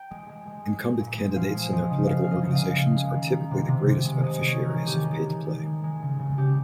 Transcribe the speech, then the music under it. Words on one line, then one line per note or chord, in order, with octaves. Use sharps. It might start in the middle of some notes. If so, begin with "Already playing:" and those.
Incumbent candidates and their political organizations are typically the greatest beneficiaries of Pay-to-Play.
Already playing: G5
G#3
G#3
G#3
G#3
G#3
A#2
G#3
F3 F5
G#3
F3 D#5
C#3
C#3 F5
C#3 F5
D#5
C#3
F5
C#3
G#3
G#3
D#3
D#3
C3
C3
C3
G#3
G#3 D#5
G#3
C#5
D#3
A#4
D#3
G4
D#3 G#4
G#3
D#3
D#3
G#3
G#3
C#3
C#3
C#3 G4